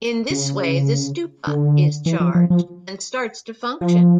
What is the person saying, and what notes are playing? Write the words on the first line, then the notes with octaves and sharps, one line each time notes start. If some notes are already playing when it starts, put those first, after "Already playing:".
In this way the stupa is charged, and starts to function.
C#3
D3
E3
F3
F3
F3
F3